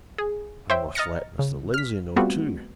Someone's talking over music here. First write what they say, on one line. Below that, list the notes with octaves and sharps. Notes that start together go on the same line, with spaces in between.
I must let Mr. Lindsey know, too.
G#4
C5 C#5 E5 G5
D#5 A#5 F6 A6 A#6 C#7
C#3
F6 B6
G3 A3 B3 C4 F4 F#4